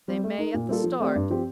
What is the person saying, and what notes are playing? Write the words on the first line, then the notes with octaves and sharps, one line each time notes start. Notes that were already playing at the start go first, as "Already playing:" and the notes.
"They may at the start."
G3 C4
A3
D#4 A#4
A#2
G3 A#3 F4 A4
F3
A3 C4 G4 D5
G2
F3 C4 G4